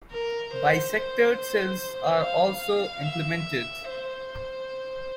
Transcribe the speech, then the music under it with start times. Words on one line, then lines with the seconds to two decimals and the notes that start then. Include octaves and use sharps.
Bisectored cells are also implemented.
0.11 A#4
0.53 C5
0.96 C5
2.21 F5
3.05 E5
3.89 C5